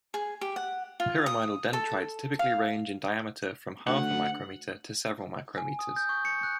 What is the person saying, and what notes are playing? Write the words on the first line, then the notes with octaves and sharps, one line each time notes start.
Pyramidal dendrites typically range in diameter from half a micrometer to several micrometers.
G#4
G4
F#5
F4
D#6
A4
F5
D2 F#5
G#5
D#6
G6
C#6
C#7
F#6